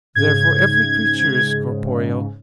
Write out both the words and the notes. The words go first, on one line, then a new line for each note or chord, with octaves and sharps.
Therefore, every creature is corporeal.
G#2 C#3 G#6